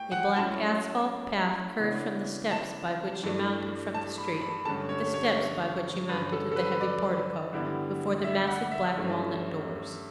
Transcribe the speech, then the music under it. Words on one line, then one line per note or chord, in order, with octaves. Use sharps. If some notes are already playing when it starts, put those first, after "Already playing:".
A black asphalt path curved from the steps by which you mounted from the street to the steps by which you mounted to the heavy portico before the massive black walnut doors.
Already playing: A2 G5
F#5
A2 F#3 C#4 E4 A5
C#3 E3 B3 D4
A5
G2 E3 A3 D4
A5
B5
B5
G2 D3 A3 C#4 A5
C#5
C#5
G2 D3 F#3 C#4 B4
A4
A4
B4
D5
G2 D3 G3 B3 E4
E5
F#5
E5
G2 F#3 A3 C#4 E4